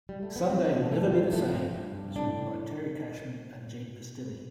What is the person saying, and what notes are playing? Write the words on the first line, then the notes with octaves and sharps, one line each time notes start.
"Sunday Will Never Be the Same" was written by Terry Cashman and Gene Pistilli.
G3
A3
B3
F3 C4
D3 B3
G2 A3
F3 G3
F3 A3
G2 C4
G2
G2
A2 D4